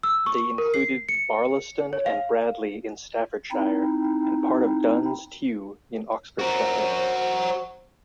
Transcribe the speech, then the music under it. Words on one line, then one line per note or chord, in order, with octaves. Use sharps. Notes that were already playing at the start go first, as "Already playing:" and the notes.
They included Barlaston and Bradley in Staffordshire and part of Duns Tew in Oxfordshire.
E6
C#6
A#4
C7
C#7
C#5
F5
C4 D#4 E4
F#4 A#4 C5